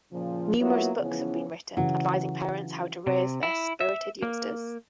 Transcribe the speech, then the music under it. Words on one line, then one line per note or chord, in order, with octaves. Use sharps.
Numerous books have been written advising parents how to raise their spirited youngsters.
A#2 C#3 F3
F#3 A#3 B3 E4 F4
C#3 E3 F3 B3 C#4
C#3 E3 F#3
C3
E4
E5
A#3